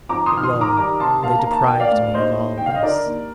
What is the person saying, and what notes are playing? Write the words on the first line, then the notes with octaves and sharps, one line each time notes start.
Lo! they deprived me of all this.
F2 A#5 D6
C6 D#6
D#3
F6
C6 D#6
D#3
A#5 D6
G3 A#5 D6
C3 A5 C6
A#3 F5 A5
A#5
A#3
A5
A#3 G5
D5 F5
D2
D#2 C5 D#5
D#2
D3 G5
F5
D#5
D3 A#4 D5
D#2